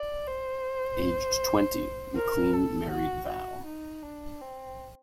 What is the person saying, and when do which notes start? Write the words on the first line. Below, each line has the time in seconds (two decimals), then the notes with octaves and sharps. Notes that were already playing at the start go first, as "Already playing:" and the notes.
Aged twenty, McLean married Val.
Already playing: D5
0.27 C5
2.15 A#4
2.53 A4
2.91 F#4
3.28 F#4
3.65 D#4
4.03 D4
4.41 C4